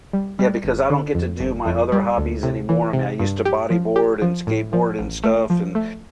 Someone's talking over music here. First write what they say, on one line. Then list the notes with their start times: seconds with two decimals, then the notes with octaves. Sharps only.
Yeah, because I don't get to do my other hobbies anymore. I mean, I used to bodyboard and skateboard and stuff, and,
0.13 G3
0.39 G3
0.64 G1
0.90 D3
1.15 F2
1.40 G1
1.66 F2
1.92 G3
2.17 D2
2.43 C3
2.69 E3
2.93 C3
3.20 G2
3.45 G4
3.70 F3
3.96 G4
4.22 F3
4.47 A2
4.73 F3
4.99 A1
5.24 A3
5.50 F3
5.75 A3